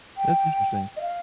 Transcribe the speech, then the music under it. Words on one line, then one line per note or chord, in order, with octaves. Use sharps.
That's interesting.
G5
D#5
F5